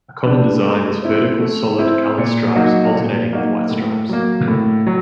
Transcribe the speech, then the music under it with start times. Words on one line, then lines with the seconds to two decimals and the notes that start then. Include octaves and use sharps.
A common design is vertical solid colored stripes alternating with white stripes.
0.26 D4 G4 B4
0.64 A3
1.03 C4 E4
1.40 A3
1.79 C4 E4
2.18 A#2
2.55 F#3 A#3 D#4 F#4
2.94 A#2
3.33 F#3 A#3 D#4 F#4
3.71 A2
4.09 F#3 A#3
4.48 A2
4.86 F#3